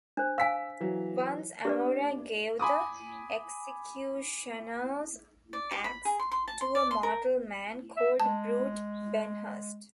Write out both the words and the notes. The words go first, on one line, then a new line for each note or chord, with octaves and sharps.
Once, Amora gave the Executioner's axe to a mortal man called Brute Benhurst.
D4 C5
F5 G#5 E6 B6
E3 F#3
D4 G4 B4 D5
G#5 B5 D6 D#6
D5
G4
B5
G#4
C6
C6
A5
C6
D5
C6
A#4
E5
G#3 A5